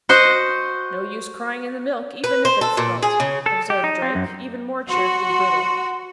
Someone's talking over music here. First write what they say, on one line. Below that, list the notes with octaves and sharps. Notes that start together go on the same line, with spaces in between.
"No use crying in the milk even if it's spilt," observed Drake, even more cheerfully brutal.
F#4 C5 D#5
B4
C5
A4
A#2
G#4
C#3
A4
G4
D#4
C4
F#2
F#4 C6